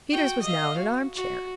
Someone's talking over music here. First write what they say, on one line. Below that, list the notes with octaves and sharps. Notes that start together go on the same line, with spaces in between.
Peters was now in an arm-chair.
F#4 G5
D#5 F5
F#4
F#4